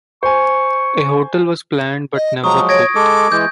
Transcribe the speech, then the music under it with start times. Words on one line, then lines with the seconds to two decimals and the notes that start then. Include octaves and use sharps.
A hotel was planned but never built.
0.23 C5 G#5 C#6
2.15 D#5
2.44 F3 F#3 G#3 A#5 C#6 D#6
2.69 C#5 G#6 A#6 D7
2.95 G#3 A4 D6
3.32 E3 G#3 G6